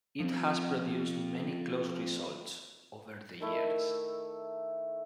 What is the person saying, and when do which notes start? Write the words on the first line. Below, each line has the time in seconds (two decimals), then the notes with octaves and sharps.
It has produced many close results over the years.
0.20 F3 C4
3.40 D#3 A3 E4 E5